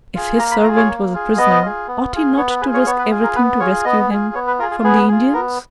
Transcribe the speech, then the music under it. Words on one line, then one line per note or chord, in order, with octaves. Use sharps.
If his servant was a prisoner, ought he not to risk everything to rescue him from the Indians?
F4 G#4
A#3 A#5
B5
F4 G#4 A#5
C#5
A#3
F4 G#4
B3 D#5
F4 G#4
B3
F4 G#4
B3 C#5
B4
F4 G#4 B4
C#5
B3 C#5
B4
F4 G#4
A#4
B3 B4
F4 G#4 C#5
B3 D#5
F4 G#4
B3 C#5
B4
F4 G#4 A#4
G#4
B3 G#4
F4 G#4
B3 A#4